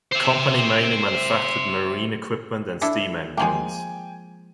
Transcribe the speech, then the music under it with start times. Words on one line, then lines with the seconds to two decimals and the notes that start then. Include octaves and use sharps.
The company mainly manufactured marine equipment and steam engines.
0.12 C5 E5
2.81 D4 E4 A4
3.37 F3 G#3 A#3 G5 G#5